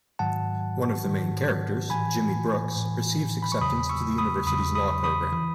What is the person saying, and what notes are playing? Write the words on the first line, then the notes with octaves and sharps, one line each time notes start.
One of the main characters, Jimmy Brooks, receives acceptance to the university's Law program.
G#2 D#3 F#3 F#5 A5
G#2 D#3 F#3
A2 E3 G#5 B5
A2 E3
B5
C#6
E2 C#3 F#3 B5 D#6
C#6 E6
B5 D#6
E2 C#3 F#3 B5 D#6
B5 D#6
B5 D#6
E3